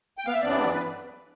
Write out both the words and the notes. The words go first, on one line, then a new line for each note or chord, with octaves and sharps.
But, lo!
G5
F5
E5
G2 E3 B3 D4 D5
B4